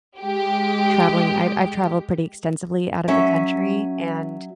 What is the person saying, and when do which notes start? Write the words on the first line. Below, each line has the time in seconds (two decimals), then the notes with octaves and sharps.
traveling, I've I've traveled pretty extensively out of the country, and
0.19 G#3 G4
3.08 F#3 C#4 E5